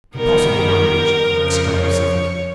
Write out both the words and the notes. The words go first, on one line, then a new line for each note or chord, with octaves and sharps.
"Impossible, my liege?" exclaimed Suffolk.
D#3 G3 B3 A#4
F2 C#3 F3
C#5